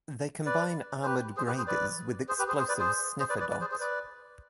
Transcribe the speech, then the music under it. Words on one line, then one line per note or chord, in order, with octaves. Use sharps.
They combine armoured graders with explosives sniffer dogs.
B4 D5
C5
G4 B4
G#4 C5
G4 B4
G#4 C5
B4 D5
G#4 C5
G4 B4
G#4 C5
G#4 C5
B4 D5
G#4 C5
G#4 C5
B4 D5
B4 D5
B4 D5
G#4 C5
G#4 C5
B4 D5